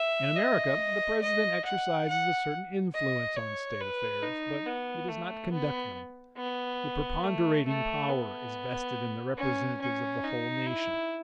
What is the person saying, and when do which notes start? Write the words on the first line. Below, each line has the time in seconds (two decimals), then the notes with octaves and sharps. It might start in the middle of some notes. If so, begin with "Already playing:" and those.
In America the President exercises a certain influence on State affairs, but he does not conduct them; the preponderating power is vested in the representatives of the whole nation.
Already playing: E5
0.36 D#5
1.22 D#5
1.65 F#5
2.08 F#5
2.94 D#5
3.36 C#5
3.80 B4
4.23 D#4
4.66 B3
5.09 A3
5.52 B3
6.37 B3
7.24 A3
7.67 A3
8.09 B3
9.38 C#4
9.81 C#4
10.24 D#4
10.67 E4